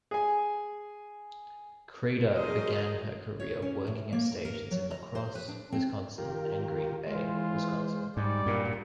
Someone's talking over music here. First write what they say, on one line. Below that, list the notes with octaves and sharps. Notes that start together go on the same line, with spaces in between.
Kreiter began her career working at stations in LaCrosse, Wisconsin and Green Bay, Wisconsin.
G#4 G#5
F#3 D4 G#4 A#4 C5 D#5
C#5
C#4
A2
A#3
A#5
A#4
F#3
A#5
C5
B4
D4
C4
D#3 F4 G4 A#4
E3 G#3 F4 C5
G#2 G3 D5
G2 A#2 F#4 A#4